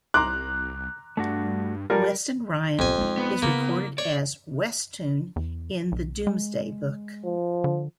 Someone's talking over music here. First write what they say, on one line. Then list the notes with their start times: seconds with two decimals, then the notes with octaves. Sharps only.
Weston Rhyn is recorded as "Westune" in the Domesday Book.
0.14 C2 A#5 C6 D6 F#6
1.17 G2 A3 D4 F#4
1.90 G3 F4 A4 A#4
2.79 C2 F2 B2 G#5
2.97 G#3 D#4
3.18 B3
3.42 C#3 A#3 E4
3.98 C#5 D5
5.36 E2
5.92 B1
6.27 G#3
7.25 F3
7.64 D3